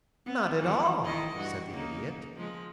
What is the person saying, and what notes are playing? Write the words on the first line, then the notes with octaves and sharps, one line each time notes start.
"Not at all," said the Idiot.
B3
F2 D#3 E3
D#3 E4 D#5
G2 F#4
C#3 A#3 D#4
F3 G#3